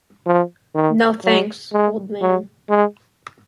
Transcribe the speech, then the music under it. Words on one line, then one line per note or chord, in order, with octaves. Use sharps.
No, thanks, old man.
F3
D#3
F#3
G#3
F#3
G#3